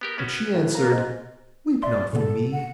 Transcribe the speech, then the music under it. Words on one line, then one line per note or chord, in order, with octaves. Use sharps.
But she answered, 'Weep not for me.
B3 G4 A#4
B3 C#4 F#4
A2
A#3 A#5
G#2
D5 E5 C6
A#2 C#3 B3 A4
F#5